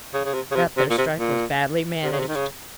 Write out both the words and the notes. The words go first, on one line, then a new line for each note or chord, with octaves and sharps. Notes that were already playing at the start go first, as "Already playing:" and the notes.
'That there strike was badly managed.
C#3
C#3
C3
C#3
C3
C3
A#2
C3
A#2
C3
C#3
C3
D#3
C#3